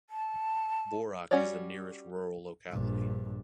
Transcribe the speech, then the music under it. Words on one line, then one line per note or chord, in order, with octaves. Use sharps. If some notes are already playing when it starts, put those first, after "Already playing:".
Borok is the nearest rural locality.
A5
G3 C#4 F#4 C#5 D5
A#1 G2